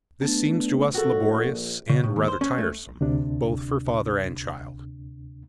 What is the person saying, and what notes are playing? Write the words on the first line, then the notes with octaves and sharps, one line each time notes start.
This seems to us laborious and rather tiresome, both for father and child.
A3 B3 D4 A5
A#1 F#4 A4
C#3
A2
D#2
C5
C#4
A3
D2 C3 D4